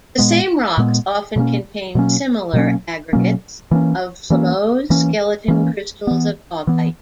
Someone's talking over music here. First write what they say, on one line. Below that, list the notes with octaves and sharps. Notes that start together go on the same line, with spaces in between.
The same rocks often contain similar aggregates of plumose skeleton crystals of augite.
A#2 G#3 B3
A#2 G#3 B3
B2 F#3 A#3 C#4
B2 F#3 A#3 C#4
B2 F#3 A#3 C#4
B2 F#3 A#3 C#4
E3 A#3 C#4
E3 A#3 C#4
E3 A#3 C#4
E3 A#3 C#4
E3 B3
E3 B3